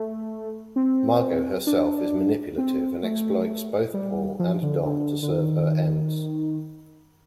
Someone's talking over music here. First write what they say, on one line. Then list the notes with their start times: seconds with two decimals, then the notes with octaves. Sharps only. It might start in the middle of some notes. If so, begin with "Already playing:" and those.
Margo herself is manipulative and exploits both Paul and Don to serve her ends.
Already playing: A3
0.76 C4
1.67 D4
2.58 C4
3.03 A3
3.94 G3
4.39 F3
4.63 D3
4.85 D3
5.22 D3
5.30 D#3